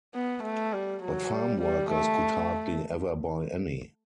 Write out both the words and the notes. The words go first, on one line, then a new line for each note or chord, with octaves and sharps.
But farm workers could hardly ever buy any.
B3
A3
G3
F#3
G3
G3
A3